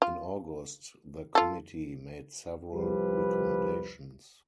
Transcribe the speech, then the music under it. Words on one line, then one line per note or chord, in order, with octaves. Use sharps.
In August, the committee made several recommendations.
F4
F4 A4
C2 F3 G3 B4